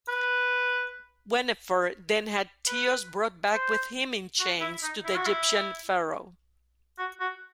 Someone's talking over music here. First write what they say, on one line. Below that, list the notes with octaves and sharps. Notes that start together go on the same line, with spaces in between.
Wennefer then had Teos brought back with him in chains to the Egyptian pharaoh.
B4
B4
C5
F#4
E4
D#4
E4
F#4
E4
F#4
F#4